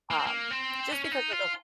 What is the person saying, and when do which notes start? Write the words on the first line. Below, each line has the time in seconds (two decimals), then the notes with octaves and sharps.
um, just because of the ho
0.11 A#3
0.19 C4
0.27 A#3
0.51 C4
0.91 C#4
1.05 C#4
1.12 D#4
1.32 F4